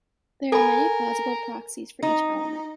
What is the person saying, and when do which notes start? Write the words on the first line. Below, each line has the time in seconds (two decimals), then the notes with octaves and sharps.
There are many plausible proxies for each element.
0.52 A4 A#4 G#5 B5
2.03 D#4